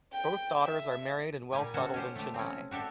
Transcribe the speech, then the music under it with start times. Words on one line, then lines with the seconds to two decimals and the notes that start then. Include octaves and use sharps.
Both daughters are married and well settled in Chennai.
0.12 G5
0.64 E5
1.53 A#2 G3 G4 G#5
1.74 C#4 F#4 A4 C5
1.94 C#4 G4 C5
2.15 A3 G4
2.34 C4 C#4
2.71 F#4 G4 A4 E5